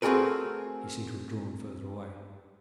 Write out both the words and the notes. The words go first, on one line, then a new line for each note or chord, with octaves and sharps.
He seemed to have drawn further away.
A3 C4 F#4 G#4 A#4 B4